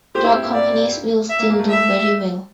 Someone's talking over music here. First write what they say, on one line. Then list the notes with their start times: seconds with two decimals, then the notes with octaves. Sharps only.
Drug companies will still do very well.
0.15 G4 C5
0.24 E4
0.34 C4
0.44 A#3
0.53 D5
1.30 E5
1.39 A#3
1.50 A#3
1.59 A3
1.69 E5